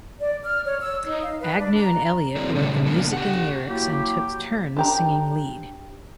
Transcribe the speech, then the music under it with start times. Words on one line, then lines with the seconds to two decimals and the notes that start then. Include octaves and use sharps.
Agnew and Elliott wrote the music and lyrics and took turns singing lead.
0.20 D5
0.44 F6
0.66 C#5
0.81 E6
1.06 D#4
1.22 F5
1.40 B4
1.59 D4
1.77 A#5
2.37 F#3 C4 E4 G#4 C#5 D5
2.55 A#2 C#3 G3 A3 D4
2.86 C#3 A#3 B3 D4 A4
3.13 G4 F#5
3.69 F#3 A#3 E4 G4
4.77 D4 G4 A#5